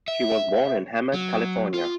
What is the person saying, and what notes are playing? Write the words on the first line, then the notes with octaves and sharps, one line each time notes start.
She was born in Hemet, California.
E5
F#3
F4